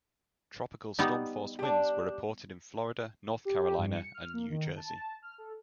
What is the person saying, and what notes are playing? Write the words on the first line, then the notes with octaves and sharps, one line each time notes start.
Tropical storm force winds were reported in Florida, North Carolina, and New Jersey.
G3 B3 D#4
D4 G4
G4
G2
C#7
F6
A#3
D#3
A5
F6
A4